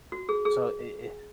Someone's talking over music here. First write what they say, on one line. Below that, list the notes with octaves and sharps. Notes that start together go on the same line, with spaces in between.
So it it
F#4
G#4
G#4